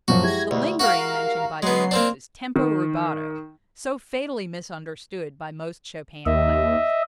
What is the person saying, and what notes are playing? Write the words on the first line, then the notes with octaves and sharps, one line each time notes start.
The "lingering" mentioned by de Lenz is tempo rubato, so fatally misunderstood by most Chopin players.
F#2 A#2 F3 F#3 F#4
G#3 E4 G4 G#6 A#6
D2 B2
F#4 A#4 F5 F#5
F#3 G#3 B3 C7
A#3 C4 D4
D#3
D#2 D#5 E5